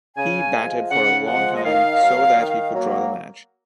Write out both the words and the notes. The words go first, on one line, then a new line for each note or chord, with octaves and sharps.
He batted for a long time so that he could draw the match.
C#3 G#5
F3 G#3
C#3 F#5
F3 G#3 F#5
D#5
D#3 F5
F#3 A#3
D#3
F#3 A#3